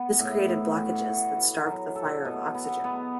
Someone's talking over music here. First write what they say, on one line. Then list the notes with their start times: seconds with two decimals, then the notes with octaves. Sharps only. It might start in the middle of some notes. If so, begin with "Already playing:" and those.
This created blockages that starved the fire of oxygen.
Already playing: B3
0.20 A2
0.48 A2
0.78 F#4
1.08 F#4
1.37 F#4
1.66 F#3
1.96 A4
2.25 B2
2.54 B3
2.84 B3